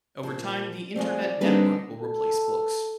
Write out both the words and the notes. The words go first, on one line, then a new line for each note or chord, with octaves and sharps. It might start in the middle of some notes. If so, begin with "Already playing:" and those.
Over time the Internet network will replace books.
A#2 F3
F3 G#3 A3 C4 D5
D3 G3 A#3 C4 D4 D#4 G#4 B4
A4